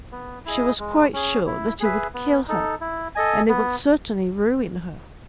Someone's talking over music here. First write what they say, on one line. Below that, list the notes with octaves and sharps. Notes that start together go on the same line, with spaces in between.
She was quite sure that it would kill her,--and it would certainly ruin her.
B3
E4 G#4 D#5
G#3
C#4 G#4
E4
G#4 B4 E5
B3
D#4 A4
E4
A4 D#5 G#5
B3